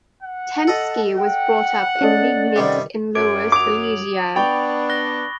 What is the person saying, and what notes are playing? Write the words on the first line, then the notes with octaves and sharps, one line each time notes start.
Tempsky was brought up in Liegnitz in Lower Silesia.
F#5
A4 D#5 A5
F#5 G5
C#4 A4 D5 D#5
C3 D#3 G3
F#2 D6 G#6 D7
D6 D#6 F7
F#7
B3 D4 G5 B5 C#6 A6
F#6 A#6 G7